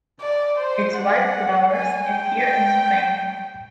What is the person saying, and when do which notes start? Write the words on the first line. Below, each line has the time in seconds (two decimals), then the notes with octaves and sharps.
Its white flowers appear in spring.
0.21 D5
0.59 C5
0.96 F#5
1.72 G#5
2.10 G5